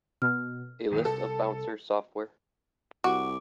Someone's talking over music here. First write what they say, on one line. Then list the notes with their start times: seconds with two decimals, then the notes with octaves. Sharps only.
A list of bouncer software.
0.22 B2 F6
0.91 F#2 A#2 D#3
1.05 C2 A4
3.04 C2 F#4 D6